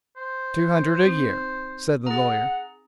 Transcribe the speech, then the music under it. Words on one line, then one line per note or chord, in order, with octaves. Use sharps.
"Two hundred a year," said the lawyer.
C5
C4 D#4
G#4 F#5 A#5